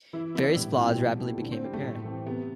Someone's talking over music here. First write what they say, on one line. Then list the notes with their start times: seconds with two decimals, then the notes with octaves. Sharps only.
Various flaws rapidly became apparent.
0.13 E3 E4
0.35 B3 D4 E4
0.56 A2 G3
0.77 G3 C4 E4
0.98 B2 F3
1.20 A3 E4 G4
1.41 D3
1.52 C4
1.62 G3 C4
1.74 A3
1.83 A2
2.05 E3 A3 C4 G4
2.26 C3 B3